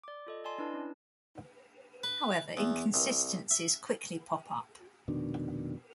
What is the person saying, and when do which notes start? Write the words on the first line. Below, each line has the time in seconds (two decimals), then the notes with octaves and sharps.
However, inconsistencies quickly pop up.
0.04 D5 D6
0.27 F4 A4 D#5
0.44 D5 D#5 G#5 A5 C6
0.58 D4 E4 B4 A5
0.74 C#4
2.04 B4
2.57 E2
2.94 C2
3.51 E5
5.08 F1 B2 D#3 D4